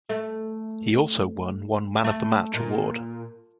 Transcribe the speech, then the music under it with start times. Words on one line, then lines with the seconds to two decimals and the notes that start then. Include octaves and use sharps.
He also won one man of the match award.
0.09 A3
2.04 A3
2.54 A#2